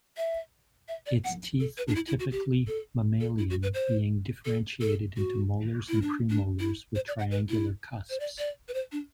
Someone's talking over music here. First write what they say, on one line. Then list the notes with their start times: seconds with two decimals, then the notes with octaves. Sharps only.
Its teeth were typically mammalian, being differentiated into molars and premolars with triangular cusps.
0.17 E5
0.88 E5
1.06 D5
1.24 F#5
1.60 A4
1.78 B4
1.88 D4
1.95 E4
2.08 E4
2.19 F#4
2.31 G4
2.67 A4
3.20 A4
3.38 E4
3.50 F#4
3.63 B4
3.74 C5
4.45 A4
4.81 A4
5.17 F#4
5.89 E4
6.02 D4
6.30 D4
6.60 E4
6.95 C5
7.08 D5
7.19 F#5
7.31 B4
7.49 E4
8.10 C5
8.20 D5
8.38 D5
8.68 B4
8.74 C5
8.92 D4